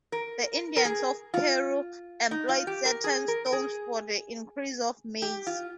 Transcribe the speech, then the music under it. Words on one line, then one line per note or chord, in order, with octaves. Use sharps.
The Indians of Peru employed certain stones for the increase of maize.
A#4
A#4
G#4
F4
D#4
F4
G4
A#4
G#4
A#4
A#4
G#4
G4
F4